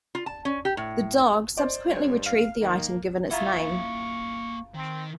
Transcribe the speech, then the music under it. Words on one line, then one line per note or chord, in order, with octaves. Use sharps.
The dog subsequently retrieved the item given its name.
F4
A5
C#4
G4
A2
C5 D5 D#5
G2 C#5
F5 F6
D#3 A#3
A#3 E4 F4 F#5 A#5 C#6
D#3 C4